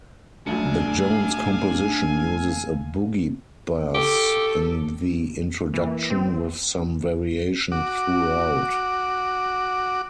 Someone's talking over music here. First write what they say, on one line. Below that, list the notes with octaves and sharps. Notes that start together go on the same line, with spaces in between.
The Jones composition uses a boogie bass in the introduction with some variation throughout.
D#1 A#1 F#2 A3 D4 A4 F5 G#5
G4 A4
E3 A#3
C4
F#4 D6